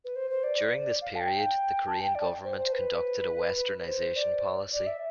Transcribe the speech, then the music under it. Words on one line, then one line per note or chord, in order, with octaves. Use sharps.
During this period, the Korean government conducted a westernization policy.
B4
C5
C5
D5
F5
A5
G5
A5
G5
D5
C5
C5
B4
C5
D5
D5
E5